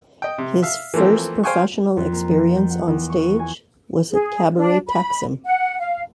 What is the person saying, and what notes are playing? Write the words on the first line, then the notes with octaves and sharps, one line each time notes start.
His first professional experience on stage was at Cabaret Taksim.
D#5 G5
C3
E5 F5
E3 F3 A3 A#3 C4
C5 F5 G5 G#5 C6 C#6
F2
A#3
F3
G6
F#5
E2
C#6
G#5
G#4
D4
B5
F#5
F5